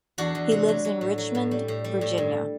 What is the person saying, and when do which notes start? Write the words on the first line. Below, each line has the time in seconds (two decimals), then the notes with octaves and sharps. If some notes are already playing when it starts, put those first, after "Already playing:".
He lives in Richmond, Virginia.
0.18 E2 D4 F#4
0.35 E2
0.51 C3
0.68 F#3
0.85 F#3
1.01 A2
1.18 F#3
1.35 A2
1.51 G3
1.68 A2
1.84 G3
2.01 A2
2.18 G2